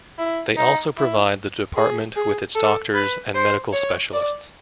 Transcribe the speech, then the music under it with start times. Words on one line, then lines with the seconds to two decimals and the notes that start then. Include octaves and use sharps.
They also provide the Department with its doctors and medical specialists.
0.18 E4
0.57 D#4
0.98 E4
1.76 G#4
2.16 G#4
2.55 A4
2.94 B4
3.34 C5
3.73 C#5
4.13 D5